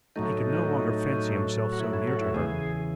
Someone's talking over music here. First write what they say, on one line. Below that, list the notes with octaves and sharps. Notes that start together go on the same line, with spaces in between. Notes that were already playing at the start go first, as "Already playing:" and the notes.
He could no longer fancy himself so near to her.
A2 F#3 A3 D#4
F#4
E4
E4
F#4
E4
E2 C#3 E3 G#4